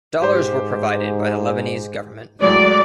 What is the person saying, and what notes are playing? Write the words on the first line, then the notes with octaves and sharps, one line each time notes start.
Dollars were provided by the Lebanese government.
G#2 G4 C5
A2 F#3 G#3 D5